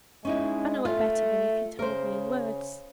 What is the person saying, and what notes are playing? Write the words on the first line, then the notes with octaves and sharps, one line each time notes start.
I know it better than if you told me in words.
G#3 C#4 D#4 E4
A3 F4
C#3 A#4 C5